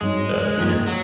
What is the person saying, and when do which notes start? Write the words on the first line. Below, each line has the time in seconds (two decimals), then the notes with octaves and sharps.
Uh, do you have
0.01 G#2 F#3 G#3 C4 D#4
0.59 G#2 D#3 A#3 F4 A#4
0.87 F#3